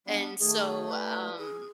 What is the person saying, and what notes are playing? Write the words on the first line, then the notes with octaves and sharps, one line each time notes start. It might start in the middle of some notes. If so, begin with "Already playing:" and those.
And so, um,
G3 B3 D4
D#3 A3 G#4
G3 E4 B4
G#4